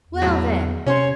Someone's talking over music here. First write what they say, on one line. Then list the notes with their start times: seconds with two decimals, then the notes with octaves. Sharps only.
"Well then!"
0.07 E2
0.22 A2 F#3
0.87 C3 C#4 C5 C#5